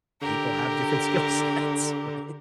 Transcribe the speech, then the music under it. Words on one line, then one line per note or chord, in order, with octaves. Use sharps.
people have different skill sets, right?
D3 G4 A#4